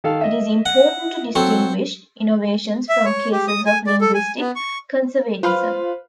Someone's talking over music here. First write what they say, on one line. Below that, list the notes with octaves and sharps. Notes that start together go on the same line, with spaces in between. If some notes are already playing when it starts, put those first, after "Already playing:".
It is important to distinguish innovations from cases of linguistic conservatism.
D#3 A4 F5
D#5 E5
F#5
F#3 C4 A4 C#6
E5
C#5
G4
D#6
G#5
D5
A4
G#5
B3
C#6
F4 B4 C5 F5 B5